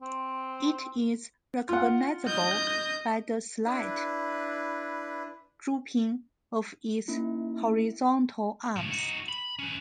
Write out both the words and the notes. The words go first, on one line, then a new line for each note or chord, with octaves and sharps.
It is recognisable by the slight drooping of its horizontal arms.
C4
F4 F#5
D#5 G6
D4 E4 B4
A#3 C#4 D#4 E4
C#2 A2
D#4 F#4
B5
C#4 B4